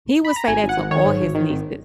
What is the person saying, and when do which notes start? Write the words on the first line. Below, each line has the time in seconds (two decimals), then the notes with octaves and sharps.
He would say that to all his nieces.
0.25 B5
0.36 A#5
0.47 G#1 G#5
0.62 G#1
0.69 F#5
0.76 G#1
0.91 D#3 C#5
1.06 G#2
1.21 G#1
1.35 D#3
1.49 G#1